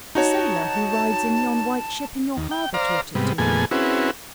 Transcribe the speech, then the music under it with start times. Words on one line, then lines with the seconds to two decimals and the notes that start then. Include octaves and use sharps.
"The sailor who rides in yon white ship in your harbor taught it to me."
0.15 D#4 F#4 C#5 A5
2.37 D#2
2.51 G5
2.74 C5 D5 F5 A#5
3.15 G#2 C3 G3 B3
3.38 F2 A#2 A3 B3 G#4 G#5
3.71 C4 C#4 E4 F#4 G#4 B4